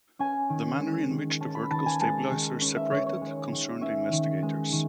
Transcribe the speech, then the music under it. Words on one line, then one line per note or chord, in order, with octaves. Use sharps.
The manner in which the vertical stabilizer separated concerned investigators.
C#4 G#5
D#3
G#3
D#3
C#4 A5
B5
D#3 A5
G#5
G#3 A5
D#3
C#4
E5
D#3 C#5
C#5
G#3
D#3
C#4 E5
D#3
G#3
D#3